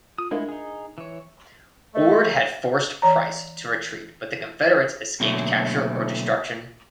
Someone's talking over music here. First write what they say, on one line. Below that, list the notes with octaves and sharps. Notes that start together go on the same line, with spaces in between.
Ord had forced Price to retreat, but the Confederates escaped capture or destruction.
F4 D#6
G#3 A3 D4 E4 A#4 F5
D#4 G#4
E3 C#5
A3 A4 D#5
E3 C#5 A#5
B2 D3 F#3 A3 A#3